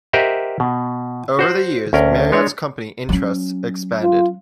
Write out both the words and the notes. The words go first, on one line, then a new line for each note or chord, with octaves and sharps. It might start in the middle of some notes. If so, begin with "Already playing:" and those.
Over the years, Marriott's company interests expanded.
G4 A#4 C5 D#5 E5 F#5
B2
F#4 C5 F#5
D2 C#4 A#4
G#3 D4 C#5
F#3 C#4
F4